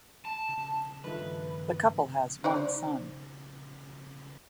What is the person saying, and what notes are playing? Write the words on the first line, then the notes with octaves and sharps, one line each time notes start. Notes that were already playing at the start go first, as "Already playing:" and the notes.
The couple has one son.
A5
G2 D#3 F3 A3 B4
D#4 C5 D5